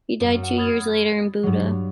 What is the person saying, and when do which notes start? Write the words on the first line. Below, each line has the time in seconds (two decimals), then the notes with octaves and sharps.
He died two years later in Buda.
0.20 F#2
0.43 F#5
0.57 B5 D#6 F6 G#6 A6
1.43 G2 F#3